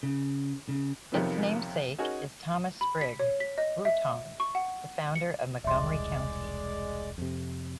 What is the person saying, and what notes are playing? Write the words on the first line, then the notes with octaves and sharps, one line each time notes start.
Its namesake is Thomas Sprigg Wootton, the founder of Montgomery County.
C#3
C#3
F2 C3 D#3 F3 F#3 B3
C#4 D#4 F#4 G#4 A#4 C#5
B5
B6
C#5
B6
D#5
E5
C#6
F#5
C#7
E1 C2 G#3 D5 E5 C6
F2 C3